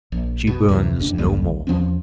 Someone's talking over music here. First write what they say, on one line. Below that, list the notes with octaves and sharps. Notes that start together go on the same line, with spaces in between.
"She burns no more."
A#1
B2
D2 C3 D#3 E3
F#1 C#2 D4
A#1 D#2 D3 G3
E2 F3 C4 C#4